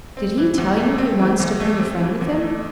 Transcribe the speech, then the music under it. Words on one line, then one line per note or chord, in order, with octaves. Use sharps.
"Did he tell you he wants to bring a friend with him?"
C4
E3
E2
A3
C4
E3
E2
A3
C4
E3
E2
A3